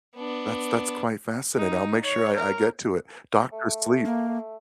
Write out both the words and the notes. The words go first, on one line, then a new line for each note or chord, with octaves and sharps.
That's that's quite fascinating. I'll make sure I I get to it. Doctor Sleep.
B3 D4
D#4
C#5
A#4
A3
A#3
A3